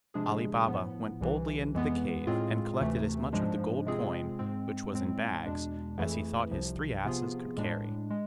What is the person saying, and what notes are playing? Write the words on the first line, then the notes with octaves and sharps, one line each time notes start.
Ali Baba went boldly into the cave, and collected as much of the gold coin, which was in bags, as he thought his three asses could carry.
C3 F3 G#3 D4 G#4
A2 F3 B3
C2 C3 E3
F2 E3 G#3 B3
A2 G#3 C4 F4 G#4
D2 C3 E3 A3
G#2 F3 G#3 D4
C3 G#3 C4 F4 G#4
G#2 G#3 C4
A2 G#3 C4
E2 B2 G#3 D4
F2 E3 A3 E4 G#4
C2 C3 F3
C3 F3 B3 F4 G#4
A2 G#3 D4
G#3